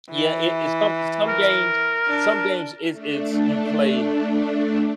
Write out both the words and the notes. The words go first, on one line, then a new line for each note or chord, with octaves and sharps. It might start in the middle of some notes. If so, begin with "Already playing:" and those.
Yeah, it it's some some games some games, it's it's you play
E3
A#4
D4
A3 D4